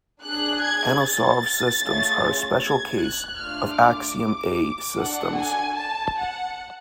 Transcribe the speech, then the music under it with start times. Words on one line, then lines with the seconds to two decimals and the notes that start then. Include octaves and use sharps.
Anosov systems are a special case of Axiom A systems.
0.21 D4 G#4 F#6
0.62 G#6
1.01 A6
1.81 A3 C#4 F4 G#4
2.60 G#6
3.00 F#6
3.39 A3 D4 F4 F6
3.78 D6
4.97 D4 F#4 A4 F#5
5.37 G#5
5.76 A5
6.17 F#5